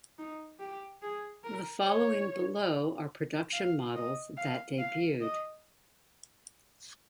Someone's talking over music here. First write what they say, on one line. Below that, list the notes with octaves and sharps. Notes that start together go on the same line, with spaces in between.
The following below are production models that debuted.
D#4
G4
G#4
A#4
C#5
F5
D#5
F5
F5
D#5